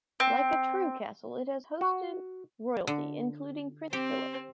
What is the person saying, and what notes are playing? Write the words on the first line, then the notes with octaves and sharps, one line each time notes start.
Like a true castle, it has hosted royalty including Prince Philip.
C4
F#4
D3
C4 G4